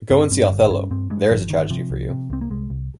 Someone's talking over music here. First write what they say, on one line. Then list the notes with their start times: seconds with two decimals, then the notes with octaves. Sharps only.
Go and see Othello; there's a tragedy for you.
0.10 G2 C4
0.31 G2 C4
0.50 G1
0.71 G2 C#4
0.90 G2 C4
1.10 G2 G#3
1.30 G1 F3
1.50 G1 D#3
1.70 C3 F3
1.90 C2
2.10 C3
2.30 C2 C4
2.41 A#3
2.50 C2 G#3
2.70 C2